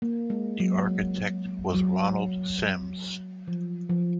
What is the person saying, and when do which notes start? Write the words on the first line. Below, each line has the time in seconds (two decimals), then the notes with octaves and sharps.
The architect was Ronald Sims.
0.02 A#3
0.30 G#3
0.60 F#3
1.74 F#3
3.48 F3
3.90 F3